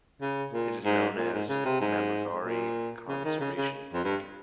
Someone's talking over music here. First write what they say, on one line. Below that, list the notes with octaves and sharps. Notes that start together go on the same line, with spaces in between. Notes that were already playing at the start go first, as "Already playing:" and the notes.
It is now known as Mamumgari Conservation Park.
C#3
A#2
G#2
A#2
G#2
C#3
C3
G#2
A#2
C#3
D#3
C#3
C#3
F2
G2